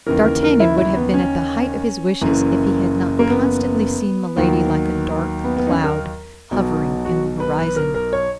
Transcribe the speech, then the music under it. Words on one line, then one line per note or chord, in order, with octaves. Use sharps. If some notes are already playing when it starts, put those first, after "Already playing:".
D'Artagnan would have been at the height of his wishes if he had not constantly seen Milady like a dark cloud hovering in the horizon.
D#2 C#3 E3 A#4
A#4
A#4
E4
E4
B3
C#4
F#1 F#2 E3
A#3
B3
D#2 D#3 F#3
B3
B3
D#4
C#4
A#4
B1 B2 F#3
F#4
B4
B4
A#4
A#4
C#5